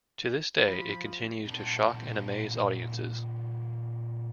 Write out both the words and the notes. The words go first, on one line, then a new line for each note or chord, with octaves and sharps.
To this day it continues to shock and amaze audiences.
F3 B5
A#2 C4 D#4 E4 F#4 A5